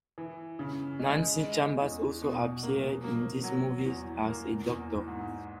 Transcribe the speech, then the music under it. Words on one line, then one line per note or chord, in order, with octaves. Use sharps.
Nanci Chambers also appeared in this movie as a doctor.
E3
C#3
G#3
G#3
E2
B2
A#3
A#3
F#3
E2
A#3
E2
G#2